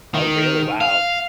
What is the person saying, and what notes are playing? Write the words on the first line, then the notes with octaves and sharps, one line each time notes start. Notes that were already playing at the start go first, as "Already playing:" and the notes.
Oh really? Wow.
D#3
F5